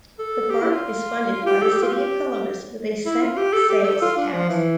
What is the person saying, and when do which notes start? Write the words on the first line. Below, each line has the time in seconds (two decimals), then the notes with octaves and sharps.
The park is funded by the City of Columbus with a -cent sales tax.
0.19 A4
0.51 G4
0.62 E4
0.72 F4
1.46 G4
1.62 A4
1.72 G4
1.82 F4
1.93 G4
3.06 E4
3.22 F4
3.37 G4
3.53 A4
3.69 G4
3.85 A4
4.02 F4
4.17 D4
4.33 F3
4.49 E3